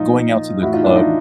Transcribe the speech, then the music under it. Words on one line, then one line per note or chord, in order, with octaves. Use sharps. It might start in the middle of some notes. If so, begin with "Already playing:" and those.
Going out to the club
Already playing: A#2 F3 D#4 F4
A2 E3 E4 F#4
D#4 F4
D4 E4
D#4 F4